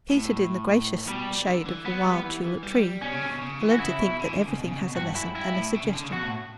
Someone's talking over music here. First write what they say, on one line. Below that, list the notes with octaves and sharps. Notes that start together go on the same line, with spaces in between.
Seated in the gracious shade of a wild tulip tree, I learned to think that everything has a lesson and a suggestion.
A2
B2 G3
D3
E3
F#3 B3
G3
E3
E3
G3
G3
B2 C#4
C#3
D3
B2
C#3
E3
F#4
C#3 E4
B2
D3
E3
D3
C#3
B2
C#3
C#3
B2
G2 F#4
F#2 E4
G2 E4
A2
B2
C#3
D3
C#3
B2 F#4
A2